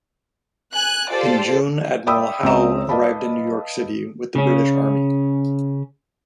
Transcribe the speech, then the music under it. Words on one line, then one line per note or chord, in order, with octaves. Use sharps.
In June, Admiral Howe arrived in New York City with the British army.
G#5 F#6
F4 G4 A4 C5 D5
D5 E5 G5 B5 D#6 E6
C#2 C4 C#4 E5 A#5 E7
B4 D5 D#5 F5 A5 B5
C#3 C#4